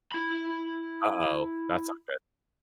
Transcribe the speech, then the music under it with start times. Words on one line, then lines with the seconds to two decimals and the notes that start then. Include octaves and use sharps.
Uh-oh, that's not good.
0.12 E4 B5